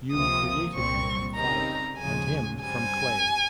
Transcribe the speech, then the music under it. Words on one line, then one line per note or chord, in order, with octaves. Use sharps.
You created me from fire and him from clay.
C#2 C3 F3 A#3 F4 D#6
C2 A#2 G3 C4 C#6
C#3 G3 C4 D#4 A#4 A#5
D#2 C#3 F3 G#3 G#5
G2 G3 C4 G#5